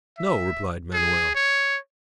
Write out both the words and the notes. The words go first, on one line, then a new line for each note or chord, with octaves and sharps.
"No!" replied Manoel.
E5
G#4
C#5